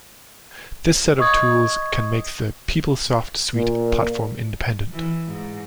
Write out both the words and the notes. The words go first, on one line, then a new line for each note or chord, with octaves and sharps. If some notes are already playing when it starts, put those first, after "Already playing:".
This set of tools can make the PeopleSoft suite platform-independent.
D#5 C#6 D#6 G#6
A#2
E3
G#2